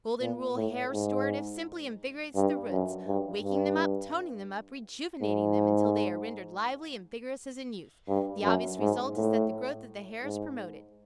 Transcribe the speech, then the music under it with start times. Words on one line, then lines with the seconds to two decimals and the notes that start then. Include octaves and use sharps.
Golden Rule Hair Restorative simply invigorates the roots--waking them up--toning them up--rejuvenating them until they are rendered lively and vigorous as in youth, The obvious result is that the growth of the hair is promoted.
0.21 A#2
0.56 A2
0.92 G#2
2.36 G2
2.71 F#2
3.07 G2
3.43 G2
5.22 G#2
8.08 G2
8.44 F#2
8.80 G#2
9.16 A2
10.23 G#2